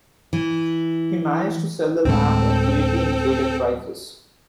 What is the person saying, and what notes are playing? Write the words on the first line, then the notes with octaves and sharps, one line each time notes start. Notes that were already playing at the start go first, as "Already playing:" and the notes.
He managed to sell the land at greatly inflated prices.
E3
D2 A2 G#3 C4 A4